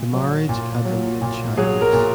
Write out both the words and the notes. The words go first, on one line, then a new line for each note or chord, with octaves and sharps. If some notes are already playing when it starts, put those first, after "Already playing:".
The marriage had remained childless.
Already playing: A#2
F#3
A#2
F#3
A#2
F#3 G#4
A#4
A#2